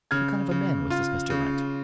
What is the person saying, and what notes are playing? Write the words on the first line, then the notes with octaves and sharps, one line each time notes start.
"What kind of a man was this Mr. Wrent?"
C#3 F6 G#6
C#3
F4
C#3